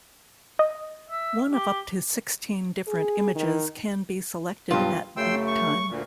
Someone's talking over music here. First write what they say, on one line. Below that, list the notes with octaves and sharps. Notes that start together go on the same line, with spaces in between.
One of up to sixteen different images can be selected at boot time.
D#5
E5
G4
G#4
D#3
B1 G2 F4
F#2 C#3 A3 G5 C6 E6
C#6
D2 A#2